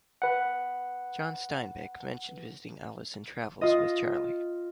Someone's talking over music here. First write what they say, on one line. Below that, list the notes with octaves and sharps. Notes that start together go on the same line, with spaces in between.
John Steinbeck mentioned visiting Alice in Travels with Charley.
B4 F#5
F4 D#5